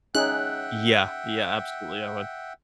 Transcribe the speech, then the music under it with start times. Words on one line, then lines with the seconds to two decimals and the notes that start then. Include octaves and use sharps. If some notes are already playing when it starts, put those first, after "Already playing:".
Yeah, yeah, absolutely, I would.
0.15 C#4 D#4 G#4 E5 F#5 G5 F#6